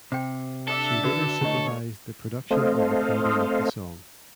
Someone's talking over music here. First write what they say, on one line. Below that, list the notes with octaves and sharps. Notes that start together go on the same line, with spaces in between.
She later supervised the production and recording of the song.
C3 C5 G5
D4 A4 E5
D3 F#4 B4 D5
D3 A3 E4 C#5 D#5
A3 C4 A4 C5 D#5 F5